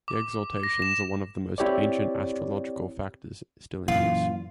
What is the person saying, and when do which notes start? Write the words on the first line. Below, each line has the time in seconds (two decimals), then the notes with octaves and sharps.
The exaltations are one of the most ancient astrological factors still in use.
0.08 D6
0.63 A#6
0.82 E7
1.58 C4 E4 G4 C#5 D5
3.88 F#2 A#2 E3 F4